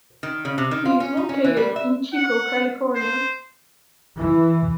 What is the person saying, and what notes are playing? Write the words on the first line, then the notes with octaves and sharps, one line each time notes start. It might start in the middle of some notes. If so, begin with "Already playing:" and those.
It is located in Chico, California.
D#3
C#3
C3
D#3
F4
C#4
D#4
C#4
E3
G3
E5
F#5
C5
E3